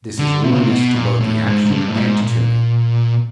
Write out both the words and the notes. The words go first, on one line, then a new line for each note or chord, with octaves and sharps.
This is ruinous to both the action and tuning.
D3
C3
C#3
C3
B2
A#2
A2
G#2
G#2
G2
A2
G#2
A#2